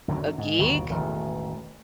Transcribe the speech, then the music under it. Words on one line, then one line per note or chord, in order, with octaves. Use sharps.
a gig?
F#2 D3 F3 F#3
G#2
G1 D#2 B2
E1 A1 D#3 A3